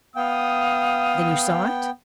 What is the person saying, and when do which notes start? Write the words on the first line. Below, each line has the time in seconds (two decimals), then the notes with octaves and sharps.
"Then you saw it?"
0.16 B3 F5 G5 D#6